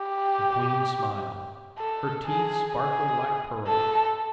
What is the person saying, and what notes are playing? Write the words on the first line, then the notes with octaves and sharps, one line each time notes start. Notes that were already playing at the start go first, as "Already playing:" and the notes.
The queen smiled--her teeth sparkled like pearls.
Already playing: G4
A4
G#4
G#4
A4